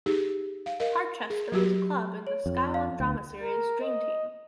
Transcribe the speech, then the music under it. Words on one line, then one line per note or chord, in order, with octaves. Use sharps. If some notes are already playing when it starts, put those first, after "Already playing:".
Harchester is a club in the Sky One drama series, Dream Team.
D#4 G4 G#4
F5
A#4 D#5 F5
G#4
F#3 F#4 G4
C#5
F2
F5
D2
A#4
D#5